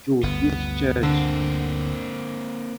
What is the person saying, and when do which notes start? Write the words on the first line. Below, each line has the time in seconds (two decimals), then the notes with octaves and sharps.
Jooste’s church.
0.23 G1 D2 B3
1.03 D3 A#3 C4